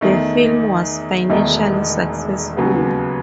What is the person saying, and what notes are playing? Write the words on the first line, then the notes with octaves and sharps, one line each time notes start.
The film was financially successful.
E2 D#3 A3
E1 E2 D#3 A3 D#4
D#2 C#3 F#3 B3